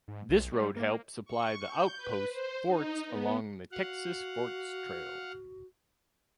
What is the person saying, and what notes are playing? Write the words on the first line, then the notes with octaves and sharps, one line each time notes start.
This road helped supply the outpost forts along the Texas Forts Trail.
G#2
B1
G3
A#3
C#6
G6
B4
C5
D#4
B3
F#4 F5 F#5